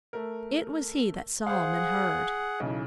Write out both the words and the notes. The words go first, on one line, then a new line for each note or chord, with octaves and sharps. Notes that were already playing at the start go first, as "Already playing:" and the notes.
It was he that Solomon heard.
A3 A#4
G#4 C5 F5 F#5
B1 C#3 E3